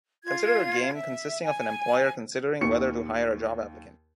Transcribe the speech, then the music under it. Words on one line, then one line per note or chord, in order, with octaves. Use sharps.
Consider a game consisting of an employer considering whether to hire a job applicant.
F4 G#6
E5
G#5
D#2 C#6 C#7